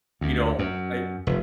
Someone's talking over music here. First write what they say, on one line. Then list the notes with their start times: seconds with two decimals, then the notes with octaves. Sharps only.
you know, I
0.21 D2
0.59 F#2
1.27 F1